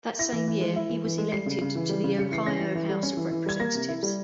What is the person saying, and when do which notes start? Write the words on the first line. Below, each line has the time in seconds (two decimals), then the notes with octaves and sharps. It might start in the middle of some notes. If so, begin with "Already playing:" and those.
That same year, he was elected to the Ohio House of Representatives.
0.19 E4 A#6
0.33 E3
0.48 E3
0.61 G#3
0.76 E4
0.90 E3
1.05 E3
1.18 G#3
1.32 G3 C7
1.46 C#3
1.61 C#3
1.75 E3
1.89 G3
2.04 C#3
2.18 C#3 C#7
2.32 E3 C7
2.46 C#4 A#6
2.60 E3
2.75 E3
2.89 G3
3.03 C#4
3.17 E3
3.31 E3
3.46 G3 G#6
3.60 A#3 A#6
3.75 C3
3.88 E4
4.03 G3